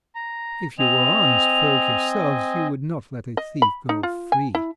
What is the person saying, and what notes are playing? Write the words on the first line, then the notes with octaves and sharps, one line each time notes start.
"If you were honest folk yourselves, you would not let a thief go free."
A#5
C4 D#5 G#5 F7
D#5
B5
D#4
F4
G#5
E4